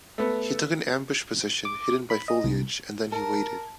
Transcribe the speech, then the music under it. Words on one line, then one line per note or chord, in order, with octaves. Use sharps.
He took an ambush position hidden by foliage and then he waited.
A3 B3
D6
B5
D#5
C2
A#4 A5